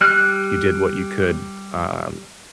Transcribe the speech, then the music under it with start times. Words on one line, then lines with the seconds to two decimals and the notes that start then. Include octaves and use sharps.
you did what you could, um,
0.01 G3 F6 F#6